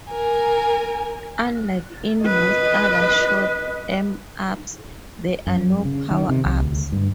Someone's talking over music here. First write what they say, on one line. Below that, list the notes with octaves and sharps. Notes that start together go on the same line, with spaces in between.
Unlike in most other shoot 'em ups, there are no power-ups.
A#4 G#5
B4 D#5
F#2
C#3
D#3
C3
C2
D2
G2